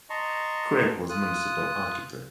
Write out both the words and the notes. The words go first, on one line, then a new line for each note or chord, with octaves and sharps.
Craik was Municipal Architect.
D#5 A5 A#5 C6 C#6
F4 D#6 F#6